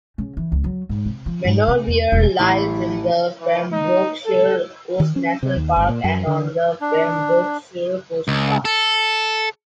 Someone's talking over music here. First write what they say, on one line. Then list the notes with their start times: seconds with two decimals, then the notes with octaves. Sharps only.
Manorbier lies in the Pembrokeshire Coast National Park and on the Pembrokeshire Coast Path.
0.18 C#3
0.37 E3
0.52 C#2
0.64 F#3
0.89 G#2
1.06 C3
1.26 F3
1.45 G#2
1.68 C3
1.87 E2
2.12 E1
2.39 A1 A3 E4 G4 B5 C7
3.38 E3
3.72 D#4
4.26 A4
5.00 D#3
5.16 C#4
5.43 C3
5.56 D#2
5.76 G1
5.89 A#2
6.04 F#2
6.27 D3
6.81 D4
8.28 C#2
8.65 A4